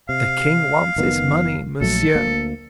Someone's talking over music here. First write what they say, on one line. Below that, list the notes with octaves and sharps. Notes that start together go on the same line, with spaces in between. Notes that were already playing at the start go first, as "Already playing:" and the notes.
"The king wants his money, monsieur."
C3 F5
F#1 D#3 B3
A#1 F#3 A3 A4
D2 A#3